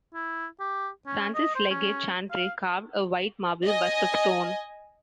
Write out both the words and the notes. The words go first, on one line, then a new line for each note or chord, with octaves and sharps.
Francis Leggatt Chantrey carved a white marble bust of Soane.
E4
G4
C#4
D#5
C5
C#4
F5
D#5 G#5